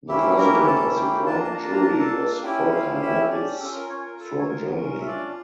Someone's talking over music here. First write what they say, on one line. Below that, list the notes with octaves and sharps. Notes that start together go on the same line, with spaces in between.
The president of the Ground Jury was Volker Moritz from Germany.
A#3 C#4 E4 G4 E5
A#4 A#5
A4 A5
G4 G5
A#3 D4 F4 A5
A#5
A5
A#5
A5
A#5
A5
A#5
A4 A5
C#4 E4 G4 G5
F4 F5
F5
E4 E5
D4 D5
C#4 F4 A4
A#4
C#4 C#5
A#4
A4
C#5
A#4
C#4 F4 A#4
E5
D4 D5